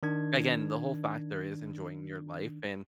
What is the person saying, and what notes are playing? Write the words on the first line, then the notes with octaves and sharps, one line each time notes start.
again, the whole factor is enjoying your life, and
D#3 D4 G#6